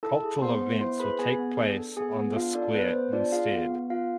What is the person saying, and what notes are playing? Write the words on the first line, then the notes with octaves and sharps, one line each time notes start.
Cultural events will take place on the square instead.
E4 A4 A5
G#4
B3 C5 C6
B3
E4 C5 C6
G#4 B4 B5
B3 G#4 G#5
B3
D4
A4
B3 G#4 G#5
B3
D4 F4 F5
D4 A4 D5
B3 B4
B3 C5
D4 F4 D5
F4 G#4 F5
B3
B3
F4 F5